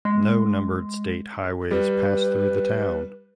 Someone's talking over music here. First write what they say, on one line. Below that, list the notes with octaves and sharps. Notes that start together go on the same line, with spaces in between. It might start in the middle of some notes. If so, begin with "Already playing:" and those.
No numbered state highways pass through the town.
G#3
G3 B4